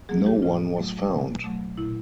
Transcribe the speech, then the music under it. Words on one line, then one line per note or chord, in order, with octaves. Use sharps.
No one was found.
F#3 A#3 G#4
G4
A2 F4
F#3 A3
B2
F#3 A3
A#2 E4